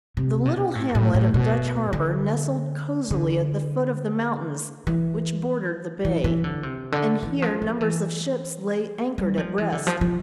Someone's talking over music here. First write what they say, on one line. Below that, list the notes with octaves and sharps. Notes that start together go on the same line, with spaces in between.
The little hamlet of Dutch Harbor nestled cosily at the foot of the mountains which bordered the bay, and here numbers of ships lay anchored at rest.
C3
B2
A2
G2
A2
A2
B2
D3
D3
E3
E3
E3
D3
C3
D3
E3
F3
F3
E3
G3
F3
E3
D3
F3
F3